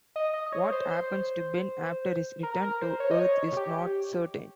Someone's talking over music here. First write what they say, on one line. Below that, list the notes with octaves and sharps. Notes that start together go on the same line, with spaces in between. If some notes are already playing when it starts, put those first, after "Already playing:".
What happens to Ben after his return to Earth is not certain.
D#5
D#5
D#5
C#5
C5
C5
A#4
A#4
C5
C#5
D#5
C#5
G4